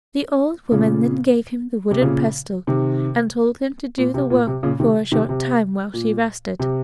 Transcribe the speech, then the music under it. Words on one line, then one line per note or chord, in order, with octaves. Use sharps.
The old woman then gave him the wooden pestle and told him to do the work for a short time while she rested.
A#2 C#3
C3
A#2 C#3
C3 D#3
A#2
C3
A#2
C3
A#2 C#3
C3 D#3
C3 D#3
C3
A#2
C3